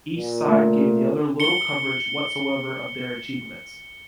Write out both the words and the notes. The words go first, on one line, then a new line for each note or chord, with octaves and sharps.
Each side gave the other little coverage whatsoever of their achievements.
A#2
A3
C#7 G7